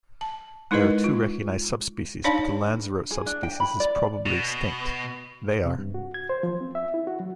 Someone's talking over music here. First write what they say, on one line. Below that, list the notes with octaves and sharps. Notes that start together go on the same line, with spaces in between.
There are two recognised subspecies but the Lanzarote subspecies is probably extinct; they are.
A5
G#3 D#4 E4 A#4 B4 D#5
F4
D4 D#4 C#5 D5 F5 A5
G#4
D4
G5
B5
D5
B2
C3
G2
F#4
G#6
C5
F3
C4
E5
E4
F#4
F#3